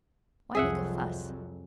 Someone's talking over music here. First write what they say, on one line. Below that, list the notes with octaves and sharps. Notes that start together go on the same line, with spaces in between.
Why make a fuss?
C2 F2 F#3 G#4 E5 F#5